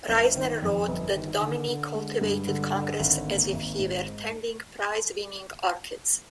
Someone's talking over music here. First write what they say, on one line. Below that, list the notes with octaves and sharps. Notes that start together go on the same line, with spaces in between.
Reisner wrote that Dominy cultivated Congress as if he were tending prize-winning orchids ...
G1
D#3
F2
G1
D#3
D3
D3
G#3
G2
D3
D3
G#1
A#3
G#1
G#2